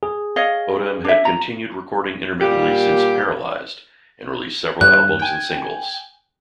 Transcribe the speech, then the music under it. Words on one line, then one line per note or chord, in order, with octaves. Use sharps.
Odam has continued recording intermittently since "Paralyzed" and released several albums and singles.
G#4
C#5 D#5 F5
D4 E5
F4 A#5
A#2 G3 A#3 G4
G2 F#6
G5 G#5